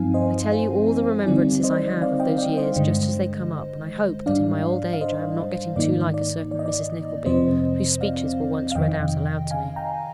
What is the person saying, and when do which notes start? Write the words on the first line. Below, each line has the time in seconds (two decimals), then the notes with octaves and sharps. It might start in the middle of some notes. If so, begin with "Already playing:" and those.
I tell you all the remembrances I have of those years just as they come up, and I hope that, in my old age, I am not getting too like a certain Mrs. Nickleby, whose speeches were once read out aloud to me.
Already playing: G2 F3 C4 D#4 F5 G#5
0.14 C5 D#5
0.52 C5
1.26 D3 G3 C4 D#4 D5
1.64 C5 D#5
2.02 D5 F5
2.20 D#5 G5
2.38 D5 F5
2.57 C5 D#5
2.76 G2 D3 G#3
4.26 G#2 G3 D4 D5 F5
4.93 F5
5.01 C5 D#5
5.76 G#2 D#3 A#3 D#4 D5
6.14 D5
6.51 D5
6.59 D#5
6.66 D5
7.26 F2 C3 F3 C4 C5 D#5
8.01 D5 F5
8.71 F5
8.75 F2 C3 D#3 D#5 G5
9.51 F5 G#5
9.76 G5 A#5